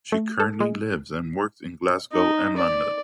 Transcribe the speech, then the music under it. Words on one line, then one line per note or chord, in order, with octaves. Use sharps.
She currently lives and works in Glasgow and London.
A3
A4
G#3
D#4
D5